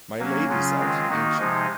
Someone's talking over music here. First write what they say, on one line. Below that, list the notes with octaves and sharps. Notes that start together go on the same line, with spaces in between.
My Lady's out, ain't she?
F#3 A#3 C#4
C#3 F#3 C#4 F4
D#3 G#3 C4 F4
D#3 A#3 D#4 F#4
C3 F3 G#3 D#4